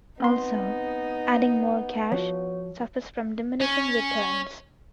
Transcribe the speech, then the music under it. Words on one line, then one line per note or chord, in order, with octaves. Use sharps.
Also, adding more cache suffers from diminishing returns.
B3 C4 D#4 C6
F3 F#4 C#5
C#4